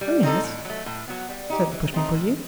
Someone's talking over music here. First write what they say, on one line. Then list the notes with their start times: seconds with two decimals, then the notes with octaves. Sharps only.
"Oh, yes," said the pushmi-pullyu.
0.01 G3
0.23 C4 D#4 A4
0.43 A2
0.65 F#3 A3
0.86 A2
1.08 F#3 B3
1.29 G3
1.50 D#4 G4
1.71 E3
1.93 A3 C4 D#4
2.14 A2